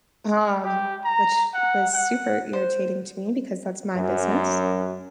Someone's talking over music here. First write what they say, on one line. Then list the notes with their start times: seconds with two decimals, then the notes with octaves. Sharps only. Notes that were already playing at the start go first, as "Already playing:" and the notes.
Um, which was super irritating to me because that's my business.
0.62 G4
1.05 A#5
1.54 F#5
1.94 F#5
2.53 C5
3.96 F#2